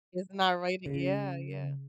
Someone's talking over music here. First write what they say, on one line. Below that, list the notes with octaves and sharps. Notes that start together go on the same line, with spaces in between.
It's not right it yeah, yeah.
C#3